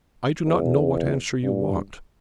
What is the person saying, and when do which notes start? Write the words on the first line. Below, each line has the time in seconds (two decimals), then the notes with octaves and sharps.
'I do not know what answer you want.
0.47 E2
1.43 G2